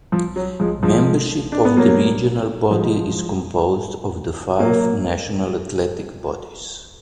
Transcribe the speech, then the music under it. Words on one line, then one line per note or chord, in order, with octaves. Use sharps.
Membership of the regional body is composed of the five national athletics bodies.
F3
F#3
F3 G#3
F3 G#3
D4
B3
F#3 A#3
F3 G#3
F#3 A#3